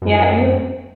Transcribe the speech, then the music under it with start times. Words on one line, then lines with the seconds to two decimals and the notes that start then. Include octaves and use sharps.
Yeah, and you'll
0.02 F#2